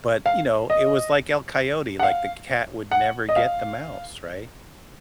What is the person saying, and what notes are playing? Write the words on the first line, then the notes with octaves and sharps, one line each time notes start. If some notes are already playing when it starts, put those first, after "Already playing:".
but, you know, it was, like, El Coyote, like, the c cat would never get the mouse, right?
F5
D#5
F#5
F5
F#5
D#5
F5